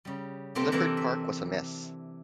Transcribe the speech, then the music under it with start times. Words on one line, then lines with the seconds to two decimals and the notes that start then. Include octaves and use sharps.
Clifford Park was a mess.
0.05 C#3 G3
0.55 C3 A3 A#3 C4 D4 G4
0.72 C3 E3 D4 A4 A#4
0.97 E5